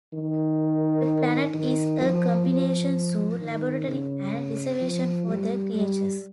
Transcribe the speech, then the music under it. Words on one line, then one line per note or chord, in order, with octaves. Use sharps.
The planet is a combination zoo, laboratory, and reservation for the creatures.
D#3
D#3
F3
F3
D#3
C#3
F3
G3
G3